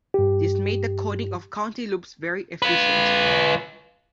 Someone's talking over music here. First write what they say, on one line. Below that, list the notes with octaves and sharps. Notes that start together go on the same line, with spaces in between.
This made the coding of counting loops very efficient.
G2 G4
F4 B4